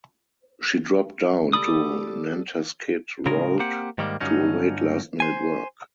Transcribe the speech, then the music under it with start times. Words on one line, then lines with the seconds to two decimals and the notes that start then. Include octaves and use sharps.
She dropped down to Nantasket Road to await last minute work.
1.53 G4 A4 D5 B5 D#6
3.26 A2 C#3 G#3 A#4
3.59 A#3 C4 G4 F#5
3.98 G#2 D#3 G3 A#3
4.21 G2 D3 F#3 C#4 D#4
5.20 C5 G#5